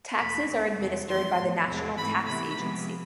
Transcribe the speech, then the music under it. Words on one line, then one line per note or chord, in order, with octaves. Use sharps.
Taxes are administered by the National Tax Agency.
E2 B2 A3 B5
D2 D3 A3 C4
E2 C3 G#3 C4
F2 E3 G#3 C4 C6
A2 F3 B3
E2 C3 G#3 C4
G#2 E3 A3 C4 B5
C3 E3 B3 B5
C3 F3 G#3 B3